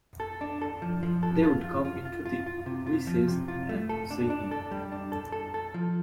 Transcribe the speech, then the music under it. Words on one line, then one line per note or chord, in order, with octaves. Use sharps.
They would come into the recess and see him.
A4
D4
A4
F3
F3
A4
F4
F4
F4
F4
F4
F4
C3
F4
F3
C3
F4
A3
A4
D4
D4
A4
G3
D4
A4
A4
A4
F3